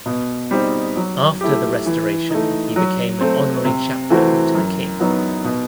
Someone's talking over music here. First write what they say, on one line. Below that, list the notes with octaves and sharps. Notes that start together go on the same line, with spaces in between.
After The Restoration he became an Honorary Chaplain to the King.
B2
G3 C4 D#4
F#3
A3 E4 G4
E3
A3 D#4
F#3
A3 C4
C3
E3 A3 C4 F#4
F#2
F#3 B3 D#4
B2